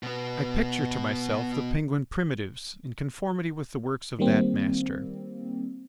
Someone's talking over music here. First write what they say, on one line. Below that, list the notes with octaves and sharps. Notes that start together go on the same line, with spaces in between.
I picture to myself the Penguin primitives in conformity with the works of that master.
B2 B3
D#3 G3 A#3 C4